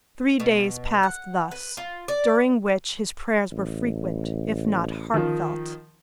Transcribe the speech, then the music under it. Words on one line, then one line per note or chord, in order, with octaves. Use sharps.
Three days passed thus, during which his prayers were frequent, if not heartfelt.
B2
F#5
B4
F4
D5
A1
D#3 F3